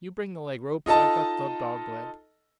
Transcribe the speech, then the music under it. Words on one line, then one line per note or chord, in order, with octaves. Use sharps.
You bring the leg-ropes--I've got the dog-leg.
D#4 F4 A4 D#5 A5